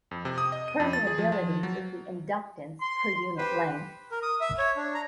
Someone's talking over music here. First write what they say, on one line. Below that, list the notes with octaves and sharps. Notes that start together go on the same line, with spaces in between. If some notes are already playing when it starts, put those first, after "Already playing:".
Permeability is the inductance per unit length.
F2
C3
D#6
D#5
D#7
F2
A6
G#4
F3
F3
F#3
C6
G4 B4 C5
A#4
D#6
E5
C#5
D4
A#5